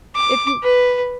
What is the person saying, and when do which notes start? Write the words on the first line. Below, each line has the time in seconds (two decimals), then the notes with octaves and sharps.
if you
0.15 D6
0.63 B4